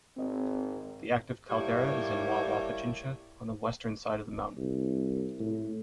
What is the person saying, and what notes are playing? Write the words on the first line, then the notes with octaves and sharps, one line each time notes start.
The active caldera is in Wawa Pichincha on the western side of the mountain.
G#1 C4 D#5
A2 G3 A#3 E4 C#5
C2
A2